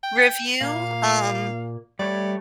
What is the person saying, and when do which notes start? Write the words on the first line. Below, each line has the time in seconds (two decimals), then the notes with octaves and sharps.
review, um,
0.04 G5
0.61 A#2 A#3 F5
1.99 G3 A3 C#5 D5